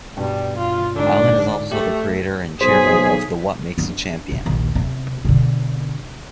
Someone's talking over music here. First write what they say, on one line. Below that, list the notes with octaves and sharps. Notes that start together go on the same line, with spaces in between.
Allan is also the Creator and Chairman of the What Makes a Champion?
G2 B2 G3
F4
G#2 D3 D4
A3 G4
B1 G#4 C5 B6
C#4 D4
C#3
A#1 D#2
C3
B2 D3